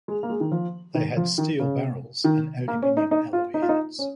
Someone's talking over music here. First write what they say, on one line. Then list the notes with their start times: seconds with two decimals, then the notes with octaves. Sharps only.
They had steel barrels and aluminium alloy heads.
0.08 G#3
0.23 A#3
0.30 G#3
0.40 D#3
0.52 F3
0.95 D#3
1.17 F3
1.38 D#3
1.60 C#3
2.24 D#3
2.68 A#3
2.82 C#4
2.97 D#4
3.11 D#4
3.33 F4
3.54 D#4
3.62 F4
3.69 D#4
3.99 C#4